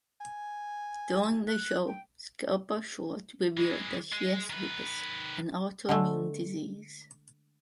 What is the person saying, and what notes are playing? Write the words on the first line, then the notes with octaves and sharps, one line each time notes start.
During the show, Scelba-Shorte revealed that she has lupus, an autoimmune disease.
G#5
F#6
G5
E3 G#3
G#3
D#3 B4
D3 G#3 A3